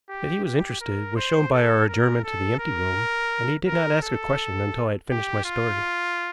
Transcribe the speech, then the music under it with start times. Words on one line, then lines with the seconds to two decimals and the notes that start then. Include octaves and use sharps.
That he was interested was shown by our adjournment to the empty room, and he did not ask a question until I had finished my story.
0.09 G4
0.45 G4
0.81 A#4
1.16 C5
1.53 A4
1.88 A#4
2.24 A4
2.59 A#4
3.67 A#4
4.03 A4
5.11 G4
5.45 F4